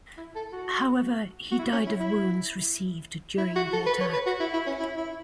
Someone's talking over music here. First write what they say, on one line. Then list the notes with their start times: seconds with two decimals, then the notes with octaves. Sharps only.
However, he died of wounds received during the attack.
0.17 E4
0.35 A4
0.52 F#4
1.51 F#4
1.59 E4
1.73 C#4
1.86 E4
2.00 E4
3.38 E4
3.56 F#4
3.73 A4
3.86 B4
4.00 C#5
4.13 B4
4.26 F#4
4.40 E4
4.53 E4
4.67 C#4
4.80 E4
4.97 E4